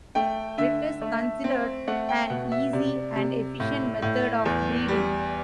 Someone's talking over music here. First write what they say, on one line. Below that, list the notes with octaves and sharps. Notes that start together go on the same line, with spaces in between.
It is considered an easy and efficient method of breeding.
A3 G5
D3 E5
A3
C4
A3 F#5
G5
B2 F#5
E5
C3 D5
C3
A2
A2
E2
G3